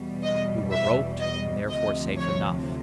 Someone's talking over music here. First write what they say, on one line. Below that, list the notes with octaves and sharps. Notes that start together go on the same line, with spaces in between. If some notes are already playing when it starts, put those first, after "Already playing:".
We were roped, and therefore safe enough.
Already playing: E2 B2 G3
D#5
E5
D#5
D2 C3 F3 D#5
C#5